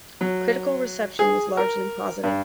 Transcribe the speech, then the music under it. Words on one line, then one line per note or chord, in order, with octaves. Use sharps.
Critical reception was largely positive.
F#3
G#4
A#4
G2